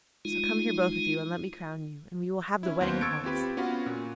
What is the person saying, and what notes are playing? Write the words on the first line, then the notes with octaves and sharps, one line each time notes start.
So come here both of you and let me crown you, and we will have the wedding at once.'
G#3 D#4 F4
C#4 E4
D#2 B3 C5
C#6 E6 G#6 A6 C#7 D7
C4 F4 G4 B4
B3 C#4 F4 F#4 B4
A#2